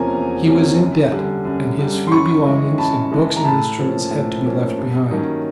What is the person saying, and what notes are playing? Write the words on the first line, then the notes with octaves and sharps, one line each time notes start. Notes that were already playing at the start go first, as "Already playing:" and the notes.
He was in debt, and his few belongings in books and instruments had to be left behind.
Already playing: E2 C3 F3 A#3 C#4 G#5 A#5
E2
C3 F3 A#3 C#4
F#2
D3 G3
F#2
D3 G3
C6
F#2 B5 C#6
C#3 E3 G#3
F#2 A5 B5
C#3 E3 G#3
A#5
A2 A5 B5
F3 A#3 C#4
A2
F3 A#3 C#4
G2
D#3 F#3 A#3 C#4